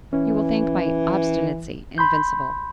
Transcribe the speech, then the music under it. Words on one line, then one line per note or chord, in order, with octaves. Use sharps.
You will think my obstinacy invincible.
E3 C#4
B5 C6 G6